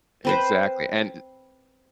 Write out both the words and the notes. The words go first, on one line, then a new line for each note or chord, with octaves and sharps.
Exactly. And i
C4 B4 C5